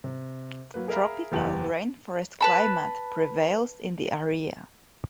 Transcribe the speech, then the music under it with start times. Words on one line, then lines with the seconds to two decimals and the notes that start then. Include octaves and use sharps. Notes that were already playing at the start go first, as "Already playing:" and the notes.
Tropical rainforest climate prevails in the area.
0.04 C3
0.74 F#3 A#3 B4
0.88 G#4 A#4 E5 F5 A#5 B5
1.32 F#1 E2 G4 A5 F#7
2.41 B4 A5 B5